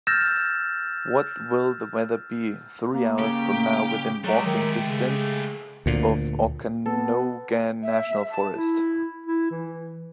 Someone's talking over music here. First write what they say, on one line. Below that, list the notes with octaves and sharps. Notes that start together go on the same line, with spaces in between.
What will the weather be three hours from now within walking distance of Okanogan National Forest?
E6 F6 G6 A6 A#6 E7
A#3
C#3 G4
F#3 G#3 A3 G4
D#3
C#3
D2 A#2
B3 A4
E5
A5
E4
E4
E3